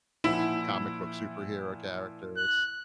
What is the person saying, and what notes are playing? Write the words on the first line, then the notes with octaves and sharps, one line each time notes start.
comic book superhero characters.
A#2 F3 E4 F#5
F#6